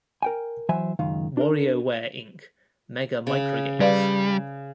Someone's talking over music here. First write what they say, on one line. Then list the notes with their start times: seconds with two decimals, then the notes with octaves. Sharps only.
WarioWare, Inc.: Mega Microgames!
0.23 A#4 G5 G#5
0.69 E3 F#3 C5 E5 G#5
0.99 C#2 F#2 D#3 F5
1.37 D4 A#4
3.27 C#3
3.80 G3 B4 D5 F5